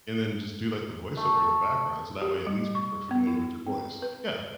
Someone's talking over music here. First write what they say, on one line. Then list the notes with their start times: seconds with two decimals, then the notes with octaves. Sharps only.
And then just do, like, the voiceover in the background so that way at least people are familiar with your voice. Yeah.
1.17 A3
2.22 G4
2.47 G3
2.75 C#6
3.11 B3
3.27 E4
3.67 C4
4.02 B4